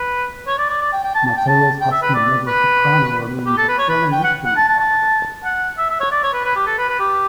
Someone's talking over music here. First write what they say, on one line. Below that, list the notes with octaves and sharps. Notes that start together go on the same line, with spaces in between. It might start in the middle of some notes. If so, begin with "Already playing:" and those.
Mattea's husky mezzo-soprano remains a thrilling instrument, however.
Already playing: B4
C#5
D5
D5
D5
G5
G5
A5
A5
G5
A5
G5
E5
B4
D5
B4
G4
A4
B4
C#5
B4
G5
F#5
F#5
A5
A5
A5
F#5
E5
E5
C#5
D5
C#5
B4
B4
G4
A4
B4
B4
G4